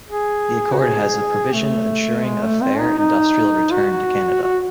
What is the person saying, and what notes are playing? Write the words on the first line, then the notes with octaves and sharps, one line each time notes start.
The accord has a provision ensuring a fair industrial return to Canada.
G#4
F#4
G#4
A3
G#3
A3
C4
D#4
D#4
F#4
F#4